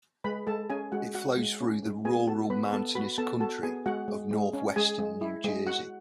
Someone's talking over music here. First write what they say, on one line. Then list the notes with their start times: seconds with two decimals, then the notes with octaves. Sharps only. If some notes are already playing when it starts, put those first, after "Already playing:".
It flows through the rural mountainous country of northwestern New Jersey.
0.24 G#3 B4 B5
0.47 G#3 A4 A5
0.70 C#4 G#4 G#5
0.92 G#3 F#4 F#5
1.14 F#4 F#5
1.37 G#3
1.61 C#4
1.82 G#3
2.05 B3 G#4 G#5
2.27 F#4 A4 A5
2.50 B3 B4 B5
2.73 B3 A4 A5
2.95 F#4 B4 B5
3.18 B3 A4 A5
3.40 F#4 A4 A5
3.63 B3 G#4 G#5
3.86 G#3 F#4 F#5
4.08 G#3
4.31 G#3
4.53 C#4
4.76 G#3 G#4 G#5
4.99 G#3
5.21 E4
5.44 G#3
5.66 F#4 F#5